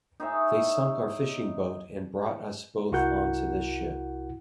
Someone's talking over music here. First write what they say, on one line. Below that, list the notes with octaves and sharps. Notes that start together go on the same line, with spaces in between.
They sunk our fishing-boat and brought us both on to this ship.
D#4 G#4 C#5 E5
C2 E4 F#4 A#4 F#5 G6